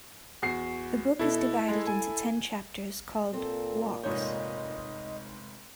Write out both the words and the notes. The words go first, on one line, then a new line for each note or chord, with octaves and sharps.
The book is divided into ten chapters called "Walks".
E2 F#4 C7
B2 E4 A4
G#3
G#5
A#2 C4 A4
F1 G#2 C#5 D#5 G6